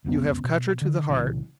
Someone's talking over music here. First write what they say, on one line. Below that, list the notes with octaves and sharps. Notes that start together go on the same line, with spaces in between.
"You have cut her to the heart."
F1 C#2 F#2 B3
B2
D3
C2 A#2 C#3 E3